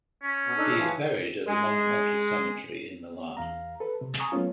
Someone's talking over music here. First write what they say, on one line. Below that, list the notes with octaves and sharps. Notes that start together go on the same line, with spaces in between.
He is buried at the Monumental Cemetery in Milan.
C#4
B2
D4 D#4 A4
E3 F3
G#3
E2 F5 A#5
A4 B4
C3
G#5 A#5 C#6 D#6
F#3 A3 B3 C#4 F4